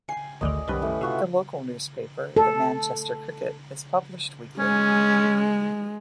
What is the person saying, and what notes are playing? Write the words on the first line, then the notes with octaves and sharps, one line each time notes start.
The local newspaper, "The Manchester Cricket", is published weekly.
G5 G#5 C7
G#1 D2 D3 D5 D#5
C2 F#2 D#3 G3 C#4 B4
A2
C3 F4 F#4 E5
A4
G#3 C#4